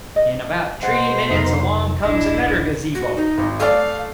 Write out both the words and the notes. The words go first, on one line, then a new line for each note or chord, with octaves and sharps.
In about t'ree minutes along comes another gazebo.
D#5
B2 C5 F#5
F2 C3 F#3 D#4 A#4
D#1 A#1 D4 E4 D#5
F#4
D#4
G#1
A3 D5 F5